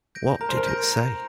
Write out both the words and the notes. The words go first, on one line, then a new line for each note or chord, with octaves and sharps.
What did it say?
G6 A#6 D7
A#4 A#5
C5
A#4
G6 A#6 D7
A#5